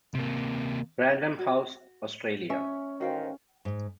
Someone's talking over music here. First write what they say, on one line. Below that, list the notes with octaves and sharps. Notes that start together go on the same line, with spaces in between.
Random House Australia.
C3 A#3
F#4
C#4 E5
A1 D#3 F#4 C5 F5 G5
G#2